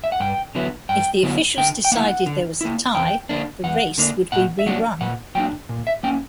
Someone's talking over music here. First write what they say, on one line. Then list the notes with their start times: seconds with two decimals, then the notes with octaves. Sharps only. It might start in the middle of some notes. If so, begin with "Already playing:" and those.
If the officials decided there was a tie, the race would be re-run.
0.04 E5
0.12 F#5
0.20 G2 G5
0.55 D3 F#3 B3 E4
0.89 G2 G5
1.23 D3 F#3 B3 E4
1.57 D3 G5
1.85 G5
1.92 A#3 E4 F#5
2.26 D3
2.61 A#3 E4
2.95 E2 G5
3.29 D3 A#3 D4
3.64 E2 F#5
3.98 D3 A#3 D4
4.32 A#2 F#5
4.59 E5
4.66 F#3 A#3 D4 F#5
5.01 A#2 F#5
5.35 F#3 A#3 D4 G5
5.69 A#2
5.87 E5
6.03 A#3 C#4 G5